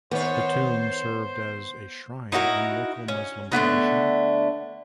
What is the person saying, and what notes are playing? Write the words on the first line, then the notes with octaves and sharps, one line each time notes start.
The tomb served as a shrine in local Muslim tradition.
D#3 B3 C5 C#5
D#4 E4 F#4 A#4
C#4
D3 A3 B3 D#4